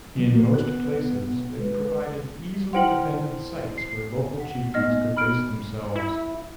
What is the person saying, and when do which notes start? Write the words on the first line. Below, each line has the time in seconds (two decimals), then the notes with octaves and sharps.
In most places they provided easily defended sites where local chieftains could base themselves.
0.16 D3 E3 F#3
0.35 B3 F#4 A#4
0.54 F#6
1.59 G#3 B4
2.73 E4 C5 F#5 G5 C6 F#7
3.78 C7
4.40 F#5
4.74 B3 D#4 D#5 F6
5.17 B5 F6 D7
5.96 E4